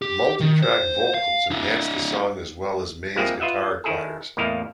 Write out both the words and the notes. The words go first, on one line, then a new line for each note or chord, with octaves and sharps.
Multi-tracked vocals enhanced the song as well as May's guitar choirs.
G4
D#3
C5
F5
D4 E4
F3 G#3 A#3 C4 E4 G#4
F4 B4 D#5 E5 F#5
D#3 E4 G#4 A4
E2 A2 A#3 E4 D#5 F5